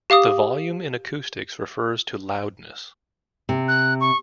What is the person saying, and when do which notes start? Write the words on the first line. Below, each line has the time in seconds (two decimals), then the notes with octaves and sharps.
The volume in acoustics refers to loudness.
0.10 G4 F5 D6 D#6
3.49 C3
3.68 F#6
4.01 C#6